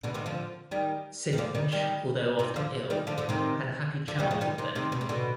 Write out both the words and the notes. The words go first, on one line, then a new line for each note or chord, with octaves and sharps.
Synge, although often ill, had a happy childhood there.
B2 D3
C3 D#3
D3 F3
D#3 G3
D#3
D3 F3
D#3 G3
D#3 G3
C3 D#3
D3 F3
D#3 G3
D3 F3
D3 F3
C3 D#3
D3 F3
D#3 G3
F3 G#3
D#3 G3
C3 D#3
C3 D#3
B2
C3
B2 D3